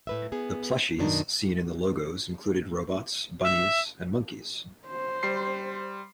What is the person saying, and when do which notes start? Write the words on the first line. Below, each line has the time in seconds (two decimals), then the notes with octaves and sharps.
The plushies seen in the logos included robots, bunnies, and monkeys.
0.07 A2 B4 E5
0.32 B3 G#4
0.99 F#2 B2 D#3 D4 D#4
3.43 E5
4.87 C5
5.23 G3 C6 C7